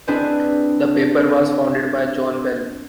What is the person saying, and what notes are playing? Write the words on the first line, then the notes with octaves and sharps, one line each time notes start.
The paper was founded by John Bell.
C4 D4 E4 G#4 B4 C5